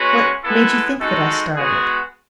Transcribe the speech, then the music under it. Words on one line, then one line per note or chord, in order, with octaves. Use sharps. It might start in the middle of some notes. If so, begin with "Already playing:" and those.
What made you think that I started?
Already playing: G#3 C#4 F#4 B4
G#3 B3 E4 A4
G#3 D#4 F#4 A4
G#3 B3 F#4 G#4